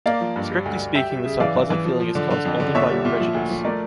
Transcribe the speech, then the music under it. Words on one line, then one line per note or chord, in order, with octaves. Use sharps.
Strictly speaking this unpleasant feeling is caused only by your prejudice.
A#3 D5 F5
F3
G2
G3
D2
D2
G3 E5 G5
G3
C#3
E3 D5 F5
E3
E3
F3
F3
D3
D3
F2
D3
A#2 C#5 E5
G3
A#2
F3
D2
F3
A3 A#4 D5